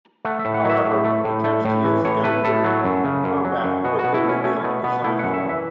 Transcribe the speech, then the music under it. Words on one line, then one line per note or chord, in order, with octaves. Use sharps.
However, attempts to use the gun during combat quickly revealed design flaws.
A3 F#5
E5
A2
F#5
F#3 E5
A2
A3
A2
A3
A2
E3
A2 C#5
A3 B4
A2 A4
F#3
F#2
C#3
F#2
F#3
F#2
B2 F#4
F#4
B2
E4
A3 C#4
A3 C#4
B2 A3
B2 B3
A3 E4
F#2 F#5
E5
E3 E5